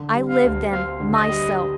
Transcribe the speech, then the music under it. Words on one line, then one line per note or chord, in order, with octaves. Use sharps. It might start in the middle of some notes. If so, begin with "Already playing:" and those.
I lived them myself.
Already playing: D3
G3
F5
D2
C4 F5
D3
D#5
G3